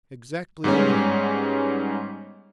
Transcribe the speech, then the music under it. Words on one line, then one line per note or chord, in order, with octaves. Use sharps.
"Exactly your man."
G#2 G3 B3 C#4